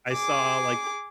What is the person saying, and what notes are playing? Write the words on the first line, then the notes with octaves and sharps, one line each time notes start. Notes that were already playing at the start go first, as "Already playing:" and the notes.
I saw like
G#4 D6